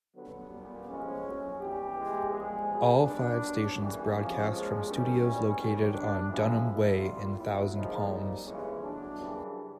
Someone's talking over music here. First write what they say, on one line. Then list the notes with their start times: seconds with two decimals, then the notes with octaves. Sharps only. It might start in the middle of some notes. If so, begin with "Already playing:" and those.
All five stations broadcast from studios located on Dunham Way in Thousand Palms.
0.15 G2 D3 F#3 B3
0.51 A#2 G3
0.87 A2 F3 G#3 C#4
1.24 A2 F#3
1.59 G2 E3 G3 G4
1.96 G#2 E3 G#3
2.31 A#2 F3 G#3 G#4
2.67 B2 F#3
3.03 G2 D#3 G3 D4
3.41 B2 F#3
3.76 F#2 C#3 E3 G3 C#4
4.12 F2 C#3 F3
4.49 A#2 F3 G#3
4.84 G2 D#3 G3 C#4
5.20 A2 E3 G3
5.57 F#2 D#3 G3
5.93 B2 G3 D4
6.29 F#2 D3 F3 G#3 E4
6.65 F2 C#3 F#3
7.01 A#2 G3 F4
7.38 A2 F#3 E4
7.74 A#2 F3 G#3 D#4
8.09 A#2 G3
8.46 F2 C#3 E3 G#3 C#4
8.83 A2 F#3 D4
9.18 F#2 C#3 E3 G3